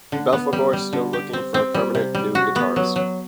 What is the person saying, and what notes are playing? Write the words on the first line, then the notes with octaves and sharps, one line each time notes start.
Belphegor still looking for a permanent new guitarist.
D3
B3
G3
G3
D3
G4
C4
C4
G3
C3
G3
F#4
B3
F#3
F#3